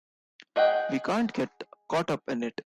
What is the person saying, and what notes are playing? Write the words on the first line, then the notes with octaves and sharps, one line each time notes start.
We can't get caught up in it.
G#4 D#5 F#5 G5